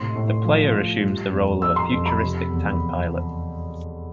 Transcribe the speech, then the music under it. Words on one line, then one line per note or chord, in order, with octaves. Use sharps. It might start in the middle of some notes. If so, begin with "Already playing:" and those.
The player assumes the role of a futuristic tank pilot.
Already playing: A2 C3 C6
A2
F3
A2
G3
F2
F2 E6
C6
F2
B5
C3
E2